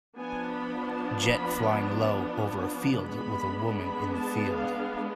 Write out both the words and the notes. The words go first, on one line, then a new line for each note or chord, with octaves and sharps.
Jet flying low over a field with a woman in the field.
F3 B3 D4 G#5
B5
A5
B5
G#3 B3 D4 B5
B5
A5
F5